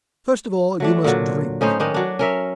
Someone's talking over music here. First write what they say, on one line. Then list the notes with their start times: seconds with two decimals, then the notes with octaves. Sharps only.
"First of all you must drink!"
0.80 F#3 A3 D4
1.04 A#2 D3 F#3
1.61 A2 C#4 D#4 C5
1.80 D#3 C#4 D4
1.94 F#3 D4
2.19 C#4 A#4 E5